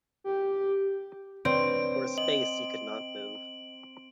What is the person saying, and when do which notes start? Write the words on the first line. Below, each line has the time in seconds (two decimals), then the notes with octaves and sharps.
For a space he could not move.
0.24 G4
1.45 C4 B4 C#5 D5 D7
2.18 D#5 F#7